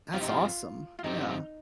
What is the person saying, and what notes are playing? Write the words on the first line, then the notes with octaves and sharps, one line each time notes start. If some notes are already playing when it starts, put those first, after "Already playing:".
That's awesome, yeah.
G2 F3 C4 F4 G4 C5
D#4
F4
F4
G2 F3 C4 D#4 G4 C5